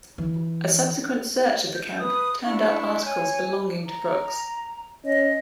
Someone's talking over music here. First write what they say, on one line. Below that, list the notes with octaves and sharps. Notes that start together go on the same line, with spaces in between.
A subsequent search of the camp turned up articles belonging to Brooks.
E3
G6
B4 D#6
D4 E4 C#6
C#5 G#5
A#5
C#4 D#5